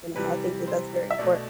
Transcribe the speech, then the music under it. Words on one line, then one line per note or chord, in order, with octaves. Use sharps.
You know, I think that that's very important.
C3 E3 G3 B4
C5
E5
B2 A3 D5